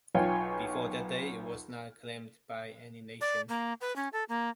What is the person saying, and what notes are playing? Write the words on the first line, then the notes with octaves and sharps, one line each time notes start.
Before that day, it was not claimed by any nation.
B1 F4 C#5 G5 G#5
D5
A#3
B4
C#4
A4
A#3